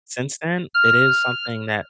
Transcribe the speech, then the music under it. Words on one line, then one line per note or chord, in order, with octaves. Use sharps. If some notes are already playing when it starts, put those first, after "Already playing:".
since then, it is something that
F6